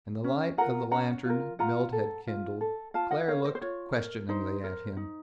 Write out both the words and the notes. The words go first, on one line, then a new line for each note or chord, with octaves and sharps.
In the light of the lantern Milt had kindled, Claire looked questioningly at him.
C#4
F4 A#4 F#5 A#5
C#4 F#5 A#5
F4 A#4
F4 F#5 A#5
A4
F4
A4
F4 F5 A5
D#5 F#5
A#4 C#5 F5
C5 D#5
C5
F4 C#5
A#4
D#4 C5
A#4
D#4